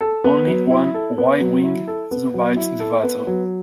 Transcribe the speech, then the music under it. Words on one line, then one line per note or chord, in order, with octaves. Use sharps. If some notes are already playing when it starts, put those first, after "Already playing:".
Only one Y-wing survives the battle.
A4
B3
F#3
E4
A4
B3
F#3
E4
A4
B3
F#3
E4
A4
B3
F#3